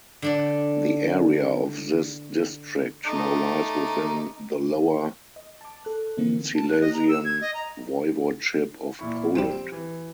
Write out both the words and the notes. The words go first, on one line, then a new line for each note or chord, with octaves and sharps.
The area of this district now lies within the Lower Silesian Voivodeship of Poland.
D3 D4 D5
A3 D#4 D6
D#5
A5 D6
A4 F#6
D3 E3 F3 A#3 C4 D#4
A5
F#6
D#5
A#5
E6
G#6
D#5
A#5
A#2 E4 C#6
F3 G3 C4 E7
E3